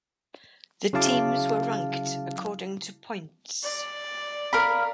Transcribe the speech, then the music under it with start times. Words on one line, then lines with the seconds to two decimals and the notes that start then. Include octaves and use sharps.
The teams were ranked according to points.
0.93 C#3 F#3 E4 F5 A5 D6
3.63 D5
4.53 A#4 F5 B5